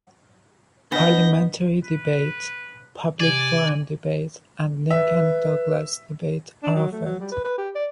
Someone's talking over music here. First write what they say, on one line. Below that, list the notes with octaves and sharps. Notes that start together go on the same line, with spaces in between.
Parliamentary Debate, Public Forum Debate and Lincoln Douglas Debate are offered.
B3 D4 B4 D#5 G6 A#6
B4
C3 D5 G#5
B4 E5
D4
F#3
A3
F#3
G3
B4
B4
G4
D5